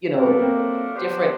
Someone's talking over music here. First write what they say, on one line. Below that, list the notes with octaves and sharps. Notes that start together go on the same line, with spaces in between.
you know, uh, different
F#3 A3 C4 D4 F4 A#4
B3
A#3 C4
B3 D4 G4 C5